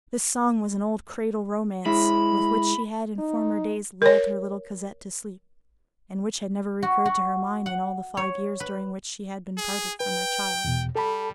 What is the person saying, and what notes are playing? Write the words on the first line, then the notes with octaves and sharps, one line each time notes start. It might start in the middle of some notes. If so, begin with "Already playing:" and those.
This song was an old cradle romance with which she had, in former days, lulled her little Cosette to sleep, and which had never recurred to her mind in all the five years during which she had been parted from her child.
G#3 E4 B5
D#4
A#4 C#5
F#4
F#4
F#5
C#5
B4
G#4
B4 G5
E2 B2
G3 A4 A5 B5